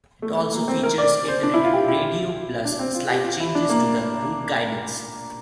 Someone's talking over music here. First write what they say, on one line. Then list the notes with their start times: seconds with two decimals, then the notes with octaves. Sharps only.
It also features internet radio plus slight changes to the route guidance.
0.22 A3
0.38 A3
0.53 A#3
0.68 C4
0.83 A#4
0.98 D5
1.28 C5
1.43 D4
1.54 E4
1.64 F4
1.74 G4
1.88 E4
2.65 D4
2.79 C4
2.94 F4
3.10 G4
3.24 F4
3.40 E4
3.55 D4
3.69 A#3